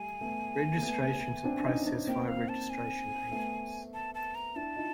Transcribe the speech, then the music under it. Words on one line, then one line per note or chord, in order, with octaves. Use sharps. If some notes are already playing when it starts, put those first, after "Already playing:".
Registrations are processed via registration agents.
Already playing: G3 A3 G#5
A3 B3
A#3
A3 B3
C4 D4
D4
C#4 D#4
C4 D4
A#3 C4 G5
F5
A5
G#5
A3 B3
A5
A5
A#5
D4 E4 A5
D#4 F4